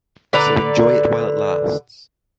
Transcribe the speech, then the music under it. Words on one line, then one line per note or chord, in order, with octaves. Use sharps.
So enjoy it while it lasts.
D3 B4 D5 A#5